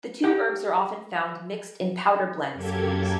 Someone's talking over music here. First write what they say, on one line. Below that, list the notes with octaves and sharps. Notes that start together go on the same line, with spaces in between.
The two herbs are often found mixed in powder blends used.
G4 F#5 G5
F#2 A#3 G4 A4 G#6